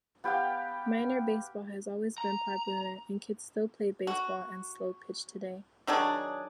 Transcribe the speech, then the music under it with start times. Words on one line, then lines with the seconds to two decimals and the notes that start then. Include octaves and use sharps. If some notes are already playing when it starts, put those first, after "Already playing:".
Minor baseball has always been popular, and kids still play baseball and slo-pitch today.
0.24 B3 G4 F5 G5
2.18 A#5
4.07 F#4
5.87 D#3 F#3 D4 G#4